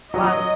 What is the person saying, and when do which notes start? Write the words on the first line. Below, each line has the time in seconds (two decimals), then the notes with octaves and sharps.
plot of,
0.14 F#3 D#5